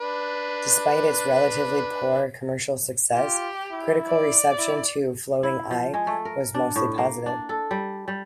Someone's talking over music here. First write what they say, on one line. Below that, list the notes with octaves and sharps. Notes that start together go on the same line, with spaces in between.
Despite its relatively poor commercial success, critical reception to "Floating Eye" was mostly positive.
D4 B4
F4 G4
E4
D5
E4
E4
F3
G#3
A3
A#4
D4
A2
A#3
D4
A4
G3
G3